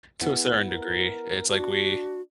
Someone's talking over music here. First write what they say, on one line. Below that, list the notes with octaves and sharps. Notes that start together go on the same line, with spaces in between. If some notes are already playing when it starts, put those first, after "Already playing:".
To a certain degree, it's like we
B3 E4 G#4
A#4
D4 F#4